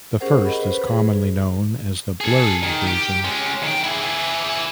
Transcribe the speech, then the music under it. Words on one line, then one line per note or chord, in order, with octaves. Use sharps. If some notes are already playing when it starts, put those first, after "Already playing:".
The first is commonly known as the "blurry" version.
C#4 G4 G#4 A#4 C5 F#5
D#5 B5
B4 C5
G#4
G#4 A4
D#3
G4
G#3 C#4
D#3 G5
E4 G#4